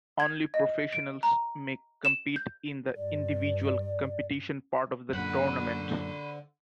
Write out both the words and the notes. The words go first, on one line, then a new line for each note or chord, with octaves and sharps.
Only professionals may compete in the individual competition part of the tournament.
G#6
D#5
D7
A#5
E7
G6
G2 D5
F#2 A#2 D3 C5 F#5 B5